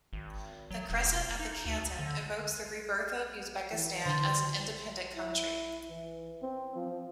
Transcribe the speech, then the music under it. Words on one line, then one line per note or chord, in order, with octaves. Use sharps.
The crescent at the canton evokes "the rebirth of" Uzbekistan as an "independent" country.
G#1
F#3
E1
D#4
D2
D3
E3
D3 C5
E4
E3
C4
F3